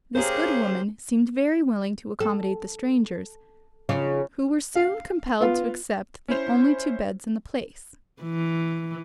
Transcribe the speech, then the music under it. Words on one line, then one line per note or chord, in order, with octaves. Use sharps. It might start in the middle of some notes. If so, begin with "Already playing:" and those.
This good woman seemed very willing to accommodate the strangers, who were soon compelled to accept the only two beds in the place.
C#3 C#4 G4 G#4 A#4 C5
A4
C#3 D#4 F4
F5
B3 F4
C#4 E4 C5
E3